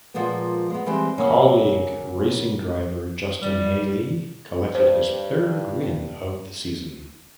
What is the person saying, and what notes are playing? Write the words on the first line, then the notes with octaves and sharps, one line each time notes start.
Kaulig Racing driver Justin Haley collected his third win of the season.
A#2 F3 G#3 A#3 B3
G#3 B3
E3 G3 G#3 C4
C#3 F#3 A#3 C#4
G3
G2 C5